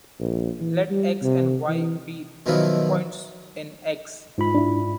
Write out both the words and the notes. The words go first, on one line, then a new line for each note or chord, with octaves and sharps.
Let "x" and "y" be points in "X".
A#1
E3
G3
C3
E3
B2 D#3 F3 F#3 E4 F4
G#2 F4 B5
D4 E4